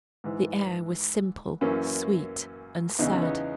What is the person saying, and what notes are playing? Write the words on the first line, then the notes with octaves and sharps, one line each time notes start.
The air was simple, sweet, and sad.
G#2 E3
F#2 E3 A#3 C#4
E2 C#3 E3 B3 D#4
C#4
B3 D#4